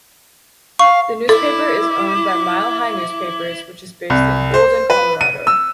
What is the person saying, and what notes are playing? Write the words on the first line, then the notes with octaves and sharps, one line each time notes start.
The newspaper is owned by Mile High Newspapers, which is based in Golden, Colorado.
F5 C#6
E4 A4 D6
C2
C5
B4
D#7
E6